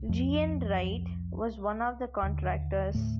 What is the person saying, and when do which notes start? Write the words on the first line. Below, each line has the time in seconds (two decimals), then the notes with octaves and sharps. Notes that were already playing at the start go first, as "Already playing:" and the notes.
G. N. Wright was one of the contractors.
Already playing: C2 C3
0.09 F2 F3
2.23 D#2 D3
2.94 A2 A3